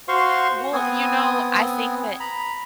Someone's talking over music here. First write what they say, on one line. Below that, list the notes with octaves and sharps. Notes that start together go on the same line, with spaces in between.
Eh Well, you know, I think that
F#4 C5 F5 C6 C#6
B3 C4 G#5 D#6
A#5 B5